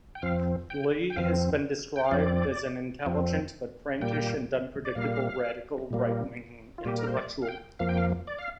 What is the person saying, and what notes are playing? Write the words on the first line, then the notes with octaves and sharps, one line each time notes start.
Leigh has been described as an "intelligent but prankish and unpredictable radical rightwing intellectual".
G5
F2 F3 C4 F5
G5
G5
F2 F3 C4 F5
G5
F5
F2 F3 C4 D5
F2 F3 C4
A#2 G3 A#3 G5
D5
A#2 G3 A#3 F5
A#2 G3 A#3
F4
A#2 G3 A#3 G4
A#4
C5
D5
F5
G5
F2 F3 A#3 F5
G5
F5
D5
F5